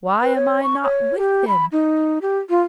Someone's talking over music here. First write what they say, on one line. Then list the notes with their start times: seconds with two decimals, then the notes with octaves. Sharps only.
Why am I not with him?
0.22 B4
0.36 C#5
0.63 C#6
0.83 C#5
1.18 G4
1.48 B5
1.72 D#4
2.22 G4
2.49 F4